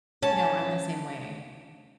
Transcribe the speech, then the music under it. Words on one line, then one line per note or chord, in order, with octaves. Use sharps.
No, I'm the same way.
C#4 A5